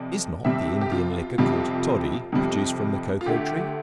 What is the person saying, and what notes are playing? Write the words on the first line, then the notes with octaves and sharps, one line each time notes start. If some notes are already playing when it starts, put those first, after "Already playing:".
Is not the Indian liquor called Toddy, produced from the Cocoa Tree?
Already playing: F2 C3 D5
F2 C3 G3 E5
G4
F4
F2 C3 G3 F4
F2 C3 G3
F4
D2 D3 A3 G4